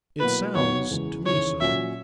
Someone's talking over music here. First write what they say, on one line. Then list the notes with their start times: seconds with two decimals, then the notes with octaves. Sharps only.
'It sounds to me so.
0.20 B2 F#3 A#3 E4 B4
0.55 D#2 D#3 F#3 B3 C#5
0.91 E2 C#3 E3 G#3
1.26 D#2 C#3 E3 C#5
1.61 A#2 F#3 C#4 E5